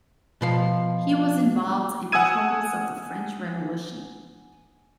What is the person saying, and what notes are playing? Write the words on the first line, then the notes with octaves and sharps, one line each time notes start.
He was involved in the troubles of the French Revolution.
B2 F3 F5
F#5 G#5 D#6 E6 G#6 D#7